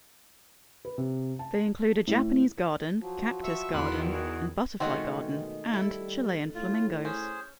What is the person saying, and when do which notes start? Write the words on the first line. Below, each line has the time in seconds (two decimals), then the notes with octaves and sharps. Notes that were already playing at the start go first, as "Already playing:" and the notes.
They include a Japanese garden, cactus garden, and butterfly garden, and Chilean flamingos.
0.85 B4
0.98 C3
1.39 A5
2.07 A2
3.00 F3 F#3
3.43 E5 C#6 E6
3.73 E2 D#3 B5 C6 F#6
4.13 F#4 G#4
4.80 B2 D#3 G#3 A3 C4 C#4 F#4
5.73 G3 E4 A4
6.55 A2 F4
7.05 C#4 G#4 C5